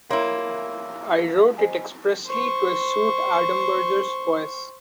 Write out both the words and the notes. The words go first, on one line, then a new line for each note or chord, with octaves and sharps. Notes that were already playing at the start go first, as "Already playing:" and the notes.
I wrote it expressly to suit Adamberger's voice.
A#3 E4 A#4 C#5 C6
C5 D#5 G#5
C5 C#6